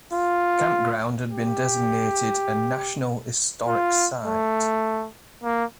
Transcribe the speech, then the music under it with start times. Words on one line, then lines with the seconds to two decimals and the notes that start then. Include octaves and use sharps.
The campground has been designated a National Historic Site.
0.13 F4
1.31 G4
3.67 F4
4.25 A3
5.44 A#3